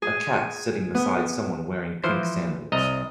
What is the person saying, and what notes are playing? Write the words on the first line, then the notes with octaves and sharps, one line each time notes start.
A cat sitting beside someone wearing pink sandals.
G#4
B3
E3 F3 C5
C2 D#5 A#5